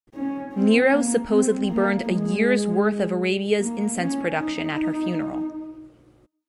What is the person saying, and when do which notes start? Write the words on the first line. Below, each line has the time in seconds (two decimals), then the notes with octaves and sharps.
Nero supposedly burned a year's worth of Arabia's incense production at her funeral.
0.14 C#4
0.53 C4
0.91 A#3
1.29 C4
1.67 A#3
2.05 G#3
3.59 A#3
3.97 C#4
4.36 D#4